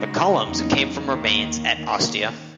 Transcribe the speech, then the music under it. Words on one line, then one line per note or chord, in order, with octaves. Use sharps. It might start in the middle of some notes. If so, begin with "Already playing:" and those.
The columns came from remains at Ostia.
Already playing: C#3 G#3 D#4 F#4
E2 C#3 F#3 A#3 D#4
D#2 D#3 A#3
D#3 A#3 C#4